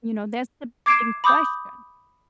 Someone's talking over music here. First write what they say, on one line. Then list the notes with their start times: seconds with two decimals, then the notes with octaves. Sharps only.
You know, that's the big question.
0.86 D6 G#6 C7 D7 E7
1.24 B5 D6 D#6 G6